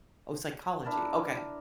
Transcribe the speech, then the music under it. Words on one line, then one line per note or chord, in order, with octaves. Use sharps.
Oh, psychology. Okay,
D4 E4 A#4 A5